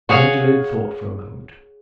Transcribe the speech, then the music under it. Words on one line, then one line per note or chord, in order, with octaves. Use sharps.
Gwendolen thought for a moment.
F#4 G#4 C#5 F5